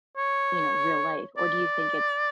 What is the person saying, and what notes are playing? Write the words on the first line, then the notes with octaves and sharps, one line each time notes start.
you know, real life, or do you think it's
C#5
D5